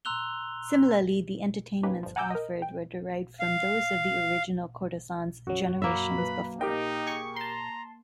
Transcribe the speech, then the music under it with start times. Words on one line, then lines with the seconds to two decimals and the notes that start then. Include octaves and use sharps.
Similarly, the entertainments offered were derived from those of the original courtesans generations before.
0.05 A#5 C6 E6 F#6 F7 G7
1.83 A#3 C#4 D#4 G4 B4
2.03 G1 F3
2.16 F#5 G#5 A#5 D6 E6 G6
2.30 A#4 D#5
2.62 G5
3.40 F5
5.47 F#2 F#3 F#4
5.82 A#3 E5 B5
6.18 B4
6.61 D#4 G4 A#4 D#5 G5
7.07 G#4 C#6
7.36 A5 A#5 C6